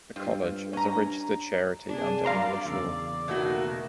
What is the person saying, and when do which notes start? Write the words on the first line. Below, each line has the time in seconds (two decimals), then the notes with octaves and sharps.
The college is a registered charity under English law.
0.16 G2 C4 F4
0.73 C#4 A#5
1.88 C3 D4 G#4
2.25 F#3 G3 A#4 D5 F5 A#5 C6
2.65 E2 C#3 E6
3.28 B2 D#3 A3 A#3 F#4